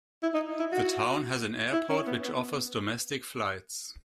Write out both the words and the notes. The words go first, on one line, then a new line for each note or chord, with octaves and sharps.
The town has an airport which offers domestic flights.
E4
D#4
E4
F#4
E4
C#4
B3
B3